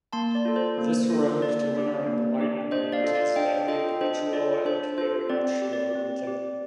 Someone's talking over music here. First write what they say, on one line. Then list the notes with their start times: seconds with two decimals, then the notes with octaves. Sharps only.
This road to inner enlightenment is very individual and very much your own thing.
0.13 A#3 A5 C6
0.35 D5
0.45 F4 A4
0.56 C5
0.78 A#3
1.10 F4 A4
1.42 A#3 D5
1.75 D4 G4
2.06 A#3
2.39 D4 G4
2.71 D4 C5 D#5
2.92 D5 F5
3.03 F4 A4
3.15 D5 F5
3.36 D4 D#5 G5
3.68 F4 A4 D#5 G5
4.01 D4 C5 D#5
4.33 F4 A4 D5
4.65 D4 C5
4.98 F4 A4 C5
5.30 C4 D5
5.62 G4
5.73 D5
5.95 C4
6.27 G4